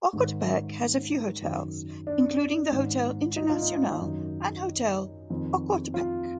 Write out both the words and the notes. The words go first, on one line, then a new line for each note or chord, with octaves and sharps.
Ocotepeque has a few hotels, including the Hotel Internacional and Hotel Ocotepeque.
G#2 D#3
F#2 D#3
D4
G#2 D#3
D#4
F4
D#4
F#2 D#3
F2 D#3
F4